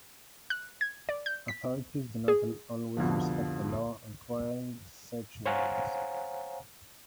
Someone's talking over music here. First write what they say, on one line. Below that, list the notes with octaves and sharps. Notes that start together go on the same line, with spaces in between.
Authorities do not always respect the law requiring search warrants.
F#6
G#6
D5
G6
B6
G#4
C2 F2 B2 D3 F3
C5 C#5 F5 F#5 G#5 A#5